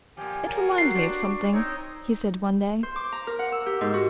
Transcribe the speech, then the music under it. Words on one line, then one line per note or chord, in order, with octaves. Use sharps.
"It reminds me of something," he said one day.
A#2 F3 G4 G#5
F#3 G3 F4 A#4
F#4 G4 A4 C7
D4 C5 D5
C4 D#4 C#5
C5
D6
A#5
A#4
F#5
E6
G4
G#2
F#4